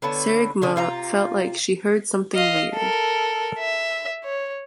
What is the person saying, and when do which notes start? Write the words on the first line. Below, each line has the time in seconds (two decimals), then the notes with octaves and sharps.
Tseregmaa felt like she heard something weird.
0.02 D3 B3 C#5 A5
0.62 D3 C#4 D4 G#5
0.76 C3 F4 B4 A#5
2.34 D#5 F5
2.74 A4 A#4
3.58 E5
4.24 C#5